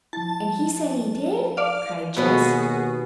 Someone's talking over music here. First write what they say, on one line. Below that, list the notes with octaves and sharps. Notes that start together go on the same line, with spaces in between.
"And he said he did!" cried Jess.
F3 E4 A5
D5 F5
D#2 B2 B3 F#4 G#4